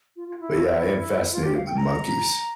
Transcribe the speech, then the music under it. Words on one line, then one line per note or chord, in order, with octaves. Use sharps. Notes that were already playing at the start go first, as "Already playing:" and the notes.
but, yeah, I am fascinated with monkeys.
F4
F4
E4
F4
G4
F5
G5
A#5